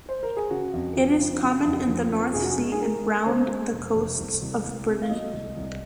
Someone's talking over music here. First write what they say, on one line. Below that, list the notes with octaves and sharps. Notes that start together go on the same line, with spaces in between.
It is common in the North Sea and round the coasts of Britain.
C5
A#4
G#4
C#3 F#4
F2
F3
C#3
C#3
F2
F3
C#3
F1 G#4
F#4
G#4
G#3
G#4
G#3 A#4
G#3
C#3 C5
G#3
F1
F1
C2
C2
C2
C3
F5
F#3 D#5
C2
C2